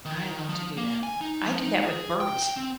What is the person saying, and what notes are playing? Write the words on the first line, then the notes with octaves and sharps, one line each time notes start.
I love to do that. I do that with birds.
D#3
F3
A#3
G#5
D#4
F3
D#4
G#4
G5
G5
C4